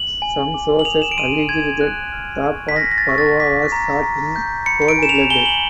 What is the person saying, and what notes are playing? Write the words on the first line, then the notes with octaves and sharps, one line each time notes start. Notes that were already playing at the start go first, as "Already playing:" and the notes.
Some sources alleged that Tapan Baruah was shot in cold blood.
Already playing: F#7
G#5
D6
F#7
D#6 F7
E7
D7
C6 D#7
C6 G#6
F#6
F6
C#6
B6
F6 A#6
A#6
A6
C#6
A6
D6 B6
A#5
A#5
G6
B5 C#7
C#7
D7
G#5 E7
F7
G#5 G7
F#7